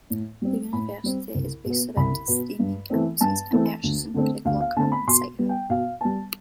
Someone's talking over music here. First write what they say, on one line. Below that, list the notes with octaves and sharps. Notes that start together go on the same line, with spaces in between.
The university is based around its three main campuses at Merchiston, Craiglockhart and Sighthill.
A2
G3 C4
A2 B5
G3 C4
C2
B2 B3
C2 B5
B2 B3
G2
E3 A3 C4
G2 A5
E3 A3 C4
D2
D3 A3 C4
D2 F5
F5
D3 A3 C4 A5
B5
B2 C6
G3 B3
G5
B2 F5
G3 B3 A5